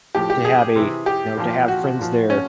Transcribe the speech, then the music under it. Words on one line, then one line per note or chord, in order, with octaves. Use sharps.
to have a know, to friends there.
A2 F3 G4
G4
G#4
C3 E3
G4
A#2 F3
F#4
A#2 F3
C#4